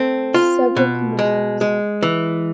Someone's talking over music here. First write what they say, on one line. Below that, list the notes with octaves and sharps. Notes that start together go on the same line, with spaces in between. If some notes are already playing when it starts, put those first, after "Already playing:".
Several commissions.
Already playing: A3 C4
F4
B2
G#3
G#3
E3